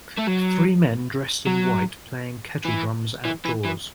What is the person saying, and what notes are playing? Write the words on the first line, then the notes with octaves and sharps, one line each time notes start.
Three men dressed in white playing kettle drums outdoors.
A3
F#3
F#3
E3
E3
E3
E3